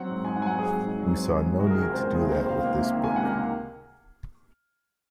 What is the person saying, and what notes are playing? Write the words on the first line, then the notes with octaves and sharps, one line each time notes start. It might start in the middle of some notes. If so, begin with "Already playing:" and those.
We saw no need to do that with this book.
Already playing: F#3 C4 F#5
G#2
D#4 G#5
F#5
F#3 G#5
F#5
C4 G#4
G#2
D#4
F#3
C4
G#2
D#4
C3 F#4
A#4
G#4
D#3
A#4
C#2 C5
A#3
G#4
C3
A#4
D#3 C5
C#2 F5
A#3
C3
D#3
G#5
C#2
F#5
A#3 F5